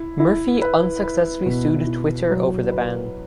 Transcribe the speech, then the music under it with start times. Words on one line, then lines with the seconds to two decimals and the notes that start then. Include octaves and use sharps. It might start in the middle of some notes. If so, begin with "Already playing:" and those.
Murphy unsuccessfully sued Twitter over the ban.
Already playing: E4
0.20 E4
0.62 B4
1.03 B4
1.46 B2
1.87 E4
2.30 F#3
2.72 B4